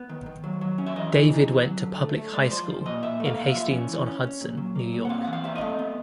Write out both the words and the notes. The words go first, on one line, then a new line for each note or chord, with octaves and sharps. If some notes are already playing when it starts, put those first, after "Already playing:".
David went to public high school in Hastings-on-Hudson, New York.
Already playing: B3
D#3
D#3
F#3
F#3
C#4
E5
E3 D#5
E3
C3
E3
F#3
D3
A3
A3
G#3 D5
F3 C5
F3
A#2 D#5
A#2 E5
A3
F5
A#2
E5
F3
C#4
E3
C#4
C#4
A#2
F#3
A#3
A#2
F#5
C4 F5
F#5
E3
F5
C4 E5
D#5
A3
B3